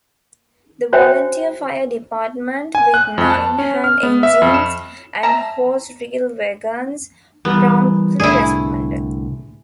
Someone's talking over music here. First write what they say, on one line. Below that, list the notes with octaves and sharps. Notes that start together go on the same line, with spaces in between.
The volunteer Fire Department with nine hand engines and hose reel wagons promptly responded.
F#4 C5 C#5 E5 G5 G#5
G#5
F#6
F2
A5
C#4
F6
B3
E5
F2
E7
E5 A5 A#5
E3 G3 B3 A#4
C2 A2 D3 E4 G#4